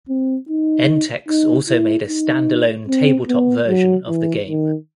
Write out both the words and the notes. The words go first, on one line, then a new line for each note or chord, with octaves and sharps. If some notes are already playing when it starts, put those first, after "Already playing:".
Entex also made a standalone tabletop version of the game.
C4
D#4
D#4
E4
D#4
C4
B3
F#3
E3
D#3